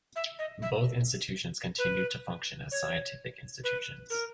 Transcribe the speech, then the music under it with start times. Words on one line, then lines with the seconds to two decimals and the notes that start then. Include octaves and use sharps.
Both institutions continued to function as scientific institutions.
0.16 E5
0.39 D#5
0.62 E5
1.78 B4
2.72 C#5
3.64 B4
4.10 A#4